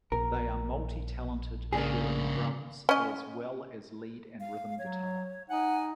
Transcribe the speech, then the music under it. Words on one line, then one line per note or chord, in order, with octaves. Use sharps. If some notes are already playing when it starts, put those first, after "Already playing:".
They are multi-talented, sharing drums as well as lead and rhythm guitar.
A#1 A#4
G#2 C#3 A#3 D4 G#4
C#4 D#5
F5
F#3 C#5
D#4 F#5 G#5